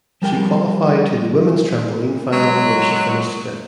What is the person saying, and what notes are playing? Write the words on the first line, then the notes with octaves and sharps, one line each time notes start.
She qualified to the women’s trampoline final where she finished fifth.
F3 G3 A#4 G5
F#3 G#3